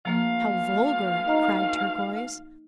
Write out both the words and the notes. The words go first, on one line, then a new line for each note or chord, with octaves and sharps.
"How vulgar!" cried Turquoise.
D2 E3 F3 A#3 F5
D#4 D#5 A#5